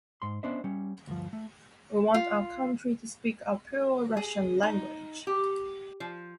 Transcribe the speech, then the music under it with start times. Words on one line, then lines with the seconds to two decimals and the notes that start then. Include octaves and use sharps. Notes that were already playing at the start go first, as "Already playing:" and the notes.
We want our country to speak our pure Russian language.
0.22 G#2 C6
0.43 B3 C#4 D4 C5 D#5 E5
0.64 G3 C#4
1.07 D2 G2 F3
1.33 A3
2.14 F4
4.17 G#4
4.63 D#4
5.27 G4
6.00 F3